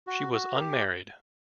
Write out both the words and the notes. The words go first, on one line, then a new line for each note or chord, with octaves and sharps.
She was unmarried.
F#4
F#4
A#4
G4